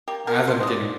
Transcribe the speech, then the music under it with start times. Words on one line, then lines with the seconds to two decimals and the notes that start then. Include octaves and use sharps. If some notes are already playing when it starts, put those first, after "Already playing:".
as I'm getting
0.08 A#3 G4
0.27 A#4
0.34 A#3
0.47 C5
0.60 F3 D#5
0.68 D5